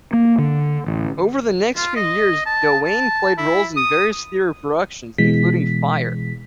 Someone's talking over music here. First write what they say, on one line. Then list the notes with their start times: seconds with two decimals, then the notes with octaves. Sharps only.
Over the next few years Doane played roles in various theatre productions, including Fire!
0.13 A#3
0.38 D3
0.87 A1
1.77 F4
1.96 D#5
2.46 A5
2.85 A5
3.38 E4
3.77 D#6
5.18 B2 E3 G#3 B6